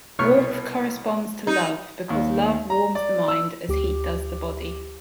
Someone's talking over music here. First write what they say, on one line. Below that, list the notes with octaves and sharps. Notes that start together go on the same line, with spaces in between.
Warmth corresponds to love because love warms the mind as heat does the body.
C2 B2 B3 C#5 C#6 F6
D#4
D#2
A#5
D5
E6
D2 G4 D6